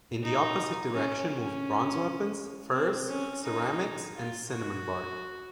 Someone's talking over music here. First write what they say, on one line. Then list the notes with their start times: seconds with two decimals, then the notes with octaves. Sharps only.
In the opposite direction moved bronze weapons, furs, ceramics, and cinnamon bark.
0.23 D#4
0.94 C#4
1.30 C#4
2.72 C4
3.09 C#4
3.44 D#4
4.15 F4
4.50 F#4